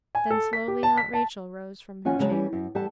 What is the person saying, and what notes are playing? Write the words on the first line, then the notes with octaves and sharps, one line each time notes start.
Then slowly Aunt Rachel rose from her chair.
G#5
A4
B6
G4
A5
B6
A5
D#2 F3 C#4 F4 F#5 G#5
C#3 F#3 G#3 F#4 C#5 A5
E3 G3 C#4
F#2
E2 G3 G4 A4 F#5 A5